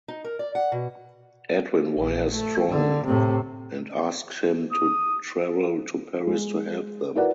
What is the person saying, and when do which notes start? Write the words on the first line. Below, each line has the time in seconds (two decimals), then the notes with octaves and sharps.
Edwin wires Strong and asks him to travel to Paris to help them.
0.08 D#4
0.24 A#4
0.39 D5
0.55 F#5
0.72 B2
1.96 A#1
2.33 A3
2.70 D3
3.05 A2 C3
4.72 D#6
6.27 G#3
7.15 E4 F#4 A#4 B4 D5 F#5